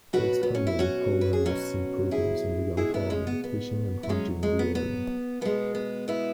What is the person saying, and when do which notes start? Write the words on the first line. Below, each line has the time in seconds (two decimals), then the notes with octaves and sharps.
They expanded Paulhamus' improvements and began farming, fishing and hunting in the area.
0.13 B2 F#3 F#4 B4
0.43 B3
0.55 C#4
0.67 E4
0.79 C#4 F#4
1.21 B4
1.33 G#4
1.45 B2 F#3 C#4 F#4
2.11 E4 G#4
2.77 B2 G#3 E4 G#4
2.94 B3 E4
3.10 G#3 C#4
3.27 B3
3.44 B3
4.03 E4
4.09 B2 F#3 G#3 C#4
4.43 G#3
4.59 B3
4.75 B3
5.41 B2 G#3 B3
5.75 B3
6.08 B3 E4